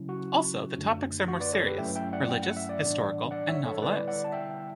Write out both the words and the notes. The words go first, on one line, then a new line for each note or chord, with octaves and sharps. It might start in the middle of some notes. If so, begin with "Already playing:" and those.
Also the topics are more serious: religious, historical and novelesque.
Already playing: C#3 F#3 C#4 E4
F#4
F#2 D3 A3 D4
F#4
B4 D5
A4 C#5
G4 B4
G2 F#3 A3 C#4 E4 E5 G5
E5 G5
D5 F#5
G5
F#5
E5
D5 F#5
A2 E3 G3 B3 D4
D5 F#5
C#5 E5
A4 C#5
C#5
D3 G3 B3 E4 B4 D5
D5 F#5
A5
E5 G5